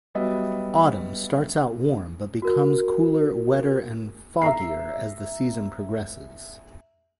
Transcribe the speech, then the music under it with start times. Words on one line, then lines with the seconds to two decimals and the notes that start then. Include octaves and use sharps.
Autumn starts out warm but becomes cooler, wetter, and foggier as the season progresses.
0.15 F#3 G3 B3 D#5 E5
2.42 F#4 A#4
4.42 E5 A#5 C7